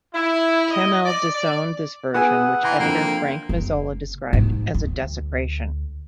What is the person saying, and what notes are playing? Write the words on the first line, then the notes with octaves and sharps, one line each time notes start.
Cammell disowned this version which editor Frank Mazzola described as a 'desecration'.
E4
D#5
D5
D5
B3 G#4 F#5 G#5 D#6 E6
E3 G5 A#5 C6
F2 D3 A#3
F#1
G#2
D2